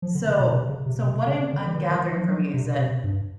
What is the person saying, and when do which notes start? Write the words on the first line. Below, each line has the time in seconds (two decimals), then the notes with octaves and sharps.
So so what I'm I'm gathering from you is that,
0.02 F3
0.15 D3
0.27 C#3
0.40 B2
0.53 C3
0.69 C#3
0.86 C3
1.03 C3
1.28 C#3
1.53 D3
1.66 E3
1.78 D#3
1.91 D#3
2.04 E3
2.16 F3
2.28 F#3
2.54 C3
2.79 C3
3.04 G2